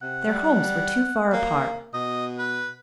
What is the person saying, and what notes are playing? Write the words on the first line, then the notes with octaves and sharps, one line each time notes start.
Their homes were too far apart.
C3 F#5
G3
A#3
B2 D#5
B4